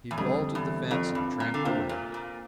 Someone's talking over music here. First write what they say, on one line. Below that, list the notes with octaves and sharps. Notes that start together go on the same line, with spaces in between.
He vaulted the fence and tramped away.
E2
F2 D3 G3 C4 G4 C5
E2
F2 C4 F4 A4 D5 F5
G2
A#2
D3
C3 A#3 F4 C5 F5
A#2
A#2